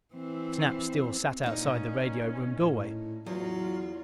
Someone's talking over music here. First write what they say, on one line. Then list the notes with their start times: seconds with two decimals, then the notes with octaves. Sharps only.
Snap still sat outside the radio room doorway.
0.14 E3 C4
1.43 A#2 C#4 D#4
2.51 A2
3.26 E2 F#3 F4